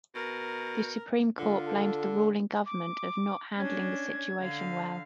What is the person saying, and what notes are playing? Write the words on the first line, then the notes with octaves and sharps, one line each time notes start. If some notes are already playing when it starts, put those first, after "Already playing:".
The Supreme court blamed the ruling government of not handling the situation well.
B2 A#4
D3 F4
A4
D6
C#4 D4 G#6
D3 F5